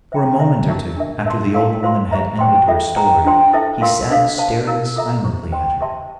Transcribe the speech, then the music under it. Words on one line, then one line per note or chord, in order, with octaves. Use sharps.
For a moment or two after the old woman had ended her story, he sat staring silently at her.
C5 E5 G5 A#5
C5 E5 A#5
G4 A#4 E5 A5
D4 G4 A#4 E5
A#4 E5 A5 C6
F4 A#4 F5 C6
F4 C5 F5 C6
G4 C5 E5 A#5
G4 C5 G5 C6
F4 A4 E5
C5 G5 A#5
D4 F4 C5 G5 C6
E4 A4 C5 E5 A5
F4 A#4 F5 C6
D4 A4 C5 F5
C5 F5 A5
E4 A#4 F5
F4 A4 E5 A#5
E4 G4 C5
C5 G5 C6
G4 C5 E5 A5 C6